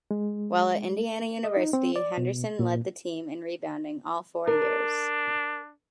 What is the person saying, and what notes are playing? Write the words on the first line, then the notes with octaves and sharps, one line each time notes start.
While at Indiana University, Henderson led the team in rebounding all four years.
G#3
D#5
D#4
C4
D5
B2
A#2
D4 A#4